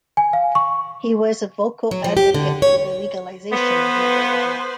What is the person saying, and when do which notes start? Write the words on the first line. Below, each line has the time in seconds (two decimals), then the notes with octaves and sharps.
He was a vocal advocate for the legalization of marijuana.
0.17 G#5
0.33 F5
0.55 C#6
1.91 F#3
2.04 F3
2.17 G4
2.34 D3
2.62 C#5
3.52 B3 B4 C5